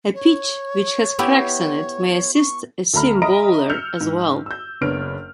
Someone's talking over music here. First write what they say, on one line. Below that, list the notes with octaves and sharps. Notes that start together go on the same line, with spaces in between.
A pitch which has cracks in it may assist a seam bowler as well.
C#5
B3 E4 G4
C#6
D2 A3 A4 A#5 B5 F6
D#5 E5 A#5 B5 D#6 D7
E6 F6 G6 C#7 F7
G#2
E6 G6
F#1 B3 D4 C#5 F6 D7